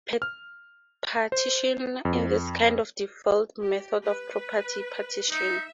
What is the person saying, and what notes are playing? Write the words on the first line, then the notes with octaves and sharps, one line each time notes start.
Partition in kind is a default method of property partition.
F6
C5
F2
G4
B4
D#4 E5